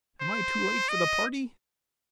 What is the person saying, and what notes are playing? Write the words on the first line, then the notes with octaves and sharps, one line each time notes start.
"Am I too late for the party?"
C5
D#5